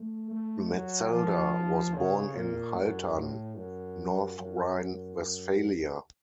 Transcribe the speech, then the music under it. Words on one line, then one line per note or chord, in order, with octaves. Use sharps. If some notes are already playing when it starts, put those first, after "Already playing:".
Metzelder was born in Haltern, North Rhine-Westphalia.
Already playing: A3
A3
F#3
F3
C#3
A#2
F#2
A2
F#2
F#2
F#2